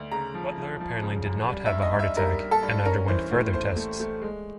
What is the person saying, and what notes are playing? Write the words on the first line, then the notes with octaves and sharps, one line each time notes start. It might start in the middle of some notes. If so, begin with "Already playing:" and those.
Butler apparently did not have a heart attack, and underwent further tests.
Already playing: D2
C#3 A#5
F3
F3
F3
C#3
F#2
G3
E5
G2
D#5
G2
E5
G3 A#4
G3
A4
G2
C#4 A#4
E3 C5
A2
A3 C5
A3
A3
G#3